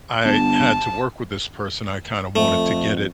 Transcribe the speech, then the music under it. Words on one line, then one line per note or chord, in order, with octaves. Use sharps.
I had to work with this person, I kinda wanted to get it
G1 A5
F2 A3